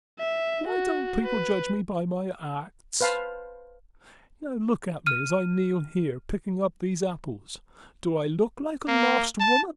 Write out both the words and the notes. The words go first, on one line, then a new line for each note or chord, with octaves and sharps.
Why don't people judge me by my acts? Now, look at me as I kneel here, picking up these apples--do I look like a lost woman?...
E5
F#4
B4
B4 C5 F5 A5 C6
F6 D#7
A#3
A5